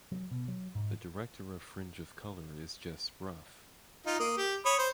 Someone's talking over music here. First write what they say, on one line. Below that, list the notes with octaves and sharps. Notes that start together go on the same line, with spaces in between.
The director of Fringe of Colour is Jess Brough.
F#3
B2
F#3
G#2
D#4 F4
A#3 D#6
G4
C#5 B5 D#6
C5